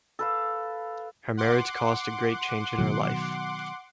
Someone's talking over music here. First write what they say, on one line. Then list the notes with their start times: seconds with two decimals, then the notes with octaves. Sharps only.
Her marriage caused a great change in her life.
0.19 A4 B4 F5
1.37 F#5 C6 D6
2.78 B2 D#3 F#3